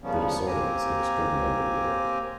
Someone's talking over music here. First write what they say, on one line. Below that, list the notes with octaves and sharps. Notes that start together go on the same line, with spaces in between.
The disorder is extraordinarily rare.
C#3 F3 G3 A#3 B3 C#4
A#3 C4 G4 G#5 A#5